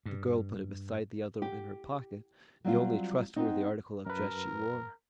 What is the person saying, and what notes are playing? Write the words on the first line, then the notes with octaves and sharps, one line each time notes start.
The girl put it beside the other in her pocket, the only trustworthy article of dress she wore.
G2
G4
F#3 G3 C4 F4
B3 C4 D#4
F#2 A#4 B4